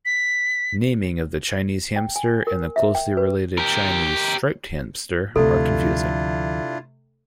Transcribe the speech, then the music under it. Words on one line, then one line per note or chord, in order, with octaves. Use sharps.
Naming of the Chinese hamster and the closely related Chinese striped hamster are confusing.
B6
G5
G#5
A#4
E5
G5
B4
G4 A#4
D2 C3 F3 A3 D4 E4 F4 A4